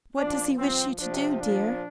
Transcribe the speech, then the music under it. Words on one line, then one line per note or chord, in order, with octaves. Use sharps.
'What does he wish you to do, dear?'
A#2 F3 D4
G2 F3 C4
C3 F3 D4
A#2 F3 D4